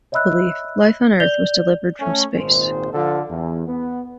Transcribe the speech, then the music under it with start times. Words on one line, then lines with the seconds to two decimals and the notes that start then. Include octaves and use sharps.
Under this belief, life on Earth was delivered from space.
0.12 C#5 D#5 E5 B5 E6 F#6
1.20 D5 G6 F7 G7
1.99 A3 C#4
2.37 G#1 A#2 D#3 G#3 C5
2.93 D3 F3 F4 A4
3.29 E2
3.66 B3